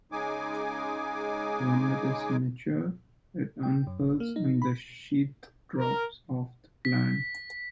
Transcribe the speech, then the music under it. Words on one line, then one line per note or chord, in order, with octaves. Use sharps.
When it is mature, it unfurls and the sheath drops off the plant.
C#3 G#3 D#4 G#4 G#5 D6
G5
F#2
G#1
A#3
D#4
B5
A#4
B6